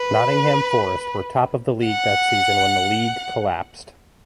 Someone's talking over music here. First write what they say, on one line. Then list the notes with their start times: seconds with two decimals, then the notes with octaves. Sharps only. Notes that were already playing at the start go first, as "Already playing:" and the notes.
Nottingham Forest were top of the league that season when the league collapsed.
Already playing: B4
1.85 F#5